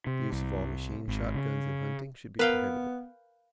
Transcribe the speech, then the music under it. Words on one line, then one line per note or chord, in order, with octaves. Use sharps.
The use of all machine shotguns in hunting should be prohibited.
C3
C2
G#1
C#3
B3 A#4 B4 F5 G5